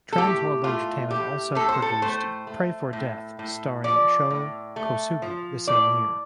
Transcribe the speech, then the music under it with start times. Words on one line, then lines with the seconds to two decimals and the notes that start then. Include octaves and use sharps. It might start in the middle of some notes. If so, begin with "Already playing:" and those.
Trans World Entertainment also produced Pray for Death starring Sho Kosugi the same year.
0.13 A4
0.18 A2 G4
0.64 A3 F4
1.11 A2 G4
1.55 A2 A4
1.69 C5
1.82 A4
2.02 A3 C5
2.47 A3
2.93 A2
3.39 A2
3.84 F3 D5
4.30 A2
4.76 A3
5.22 F3
5.67 A2 D5